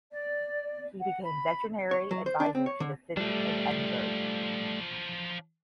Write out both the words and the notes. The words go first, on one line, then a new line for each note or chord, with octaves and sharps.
He became Veterinary Advisor to the City of Edinburgh.
D5
F#5
B5
C#5
F#3
C5
D4
C4
C#5
D3
F3 G3 A3 D4